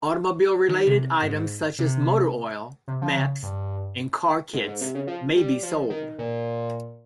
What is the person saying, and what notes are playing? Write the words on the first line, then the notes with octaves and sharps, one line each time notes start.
Automobile-related items such as motor oil, maps and car kits may be sold.
D#3
C3
G#2
C3
C3
F3
C#3
G2
G#2
G#2
C3
C#3
F3
G3
F3
D#3
A#2